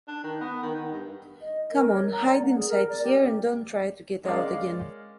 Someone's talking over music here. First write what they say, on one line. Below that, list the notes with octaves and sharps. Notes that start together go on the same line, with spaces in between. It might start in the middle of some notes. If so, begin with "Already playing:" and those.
Come on, hide inside here and don’t try to get out again.
D4
D#3
B3
D#3
D#3
G2
D#5
A#4
C#5
A#5
D5
F#5
G#4
A#4
D5
G4
G#3 C#4 A#4 D5 F5